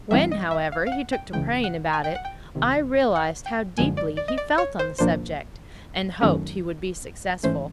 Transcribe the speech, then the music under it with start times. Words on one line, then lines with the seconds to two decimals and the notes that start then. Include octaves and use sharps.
When, however, he took to praying about it, I realized how deeply he felt on the subject, and hoped he would be successful.
0.10 G2 E3 G3 C4 D#4 E5
0.31 D#5
0.51 E5
0.72 F5
0.87 F5
0.92 F#5
1.13 G5
1.32 C#2 C#3 E3 G#3 G5
1.64 F#5
1.93 G#5
2.04 G5
2.15 F#5
2.25 G5
2.55 C2 C3 D#3
3.16 F#5
3.46 G5
3.77 G1 F#2 D3 F3 G#3 G#5
3.97 D5
4.17 D5
4.28 D#5
4.38 D5
4.58 C#5
4.79 C5
4.98 C2 A#2 F3 A#3 D4 C5
6.21 F#2 D#3 F#3 A3 C#4
7.43 G#2 E3 A3 C#4 C5